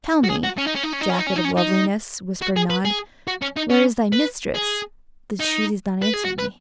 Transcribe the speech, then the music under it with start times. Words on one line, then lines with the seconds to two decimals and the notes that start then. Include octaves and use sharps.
"Tell me, Jacket-of-Loveliness," whispered Nod, "where is thy mistress that she does not answer me?"
0.24 F#4
0.30 G#4
0.44 F#4
0.58 C#4
0.67 D#4
0.76 C#4
0.84 D#4
0.93 C#4
1.01 D#4
1.10 C#4
1.19 D#4
1.27 C#4
1.36 D#4
1.45 C#4
1.58 D#4
2.42 F#4
2.57 G#4
2.70 B4
2.85 G#4
3.27 F#4
3.42 C#4
3.56 D#4
3.70 C#4
4.13 B4
4.55 G#4
5.40 D#4
6.02 B4
6.14 G#4
6.25 F#4
6.39 B4